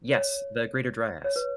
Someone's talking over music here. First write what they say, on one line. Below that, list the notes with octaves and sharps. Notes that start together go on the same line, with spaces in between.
Yes, the Greater Dryas.
C#5
C#5
B4